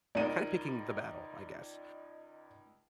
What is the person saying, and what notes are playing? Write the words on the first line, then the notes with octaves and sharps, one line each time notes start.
kinda picking the battle, I guess.
C#2 D#4 A#4 D5 D#7